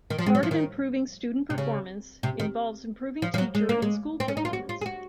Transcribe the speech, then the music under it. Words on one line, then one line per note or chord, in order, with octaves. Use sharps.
Part of improving student performance involves improving teacher and school performance.
D#3
F3
G#3
F#3
F3
D#3
C3
C#3
C3
D#3
F3
F3
F#3
G#3
A#3
G#3
C4
C#4
D#4
F4
F#4
F4
G#4
F#4